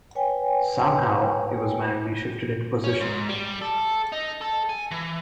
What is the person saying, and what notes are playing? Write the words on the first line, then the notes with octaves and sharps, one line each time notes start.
Somehow, it was manually shifted into position.
B4 C#5 G5 G#5
C#4
G#2
G3
A4
D#4
A4
G#5
E3